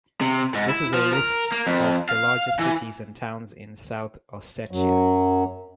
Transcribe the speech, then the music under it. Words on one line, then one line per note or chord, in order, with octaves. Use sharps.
This is a list of the largest cities and towns in South Ossetia.
C3
G#2
E4
F3
A#4
A#3
F2
F5
E3
F#2 F#3